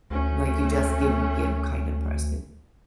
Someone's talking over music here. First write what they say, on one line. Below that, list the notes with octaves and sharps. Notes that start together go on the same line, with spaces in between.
Like, you just give and give kinda person.
D2 A3 C#4